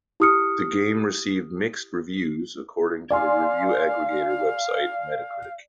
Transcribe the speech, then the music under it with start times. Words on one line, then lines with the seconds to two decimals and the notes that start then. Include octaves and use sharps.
The game received "mixed" reviews according to the review aggregator website Metacritic.
0.20 E4 G4 D#6 F6 C#7
3.11 D5 F5 G#5 C6